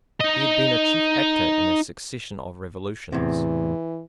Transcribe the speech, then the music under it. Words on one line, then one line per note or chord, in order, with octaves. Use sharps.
He had been a chief actor in a succession of revolutions.
D#4 D#5
E2 A2 C3 E3